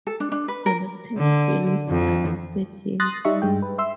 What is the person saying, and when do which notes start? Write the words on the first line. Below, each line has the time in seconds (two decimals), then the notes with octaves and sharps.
Selected films are listed here.
0.07 A4
0.20 D4
0.32 D4
0.48 B4
0.66 A#4
1.17 D3
1.89 F2
3.00 C6 D#6 F#6 A6 A#6
3.25 G3 D#4 E5 C#6
3.42 G2 G#3 G5
3.62 B4
3.78 E5 C6 E6